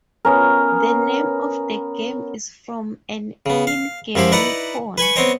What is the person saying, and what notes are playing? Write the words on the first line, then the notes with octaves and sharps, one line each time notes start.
The name of the game is from an in-game weapon.
B3 C#4 A#4
C#3 B3
F5
F#2 F3 E4 G4 C5 B5
D#4 E4 B4 D5 F#5 A#5
B4 G#5 B5 C#6
B3 C4 C5 C#5 D#5 G5